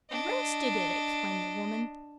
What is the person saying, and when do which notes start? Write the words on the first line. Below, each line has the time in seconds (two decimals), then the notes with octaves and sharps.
'Roasted it!' explained the woman.
0.11 D4 D#5